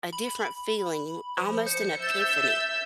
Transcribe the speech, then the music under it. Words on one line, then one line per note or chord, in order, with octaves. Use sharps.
a different feeling, almost an epiphany,
B5
F3
C5 C#7
E5 E6 G6 A6